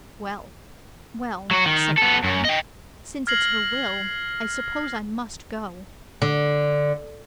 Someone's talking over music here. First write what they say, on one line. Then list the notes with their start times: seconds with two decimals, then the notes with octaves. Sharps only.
"Well, well," said the lad, "since it's her will, I suppose I must go."
1.51 F#3 F#4
1.66 D#3
1.98 B3 A4
2.24 F#2
2.45 D#5 G5
3.27 F6 G#6 A#6 C7 F#7
6.22 D3